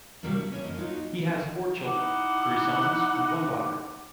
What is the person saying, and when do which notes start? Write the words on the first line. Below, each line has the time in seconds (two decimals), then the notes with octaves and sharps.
He has four children; three sons and one daughter.
0.23 C3 F#3 G3 A3 A#3 D4
0.38 E4
0.52 C#4 D4 C#5
0.64 F#2 F3 A#3 D#5
0.78 F#3 D#4 F4 F#4
1.86 D#4 E4 F#5 D6